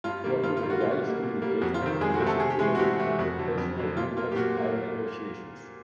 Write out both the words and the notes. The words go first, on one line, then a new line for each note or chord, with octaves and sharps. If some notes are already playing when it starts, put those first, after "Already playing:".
According to Giles' Communication Accommodation Theory, interpersonal contacts are negotiations.
G2 F4
D#3 G3 A#3
G2 F4
F4
D#3 G3 A#3
F#4
A#2 F4
F#4
G3
A#3
A#2
G3 A#3
F2 F#4
F4
C3 D#3
F2 G#3 G#4
F#4
C3 D#3
A3 A4
C3 G#4
G4
E3 G#3 A3 G#4
F#4
C3 G3 G4
E3 A3
F2 F#4
D3 F#3
F2
D3 F#3
A#2 F4
F#3 A#3 F4
G4
A#2 F#4
F#3 A#3